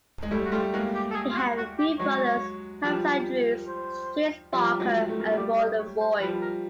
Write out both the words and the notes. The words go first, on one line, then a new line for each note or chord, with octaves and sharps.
He had three brothers, Thomas Andrews, James Barker and Roland Boys.
G#3
G3 A3 E4
F#4
G3 A3 F4
G#3 A#3 F#4
G4
A4
G#4
F4
F#4
F#4
G4
F#3 G#3 C#5
F3 G3
C5
F3 G3
F#3 G#3
A3
A#3
G3 A3
D5
D#5
C#5
C5
F3 G3 B4
A#4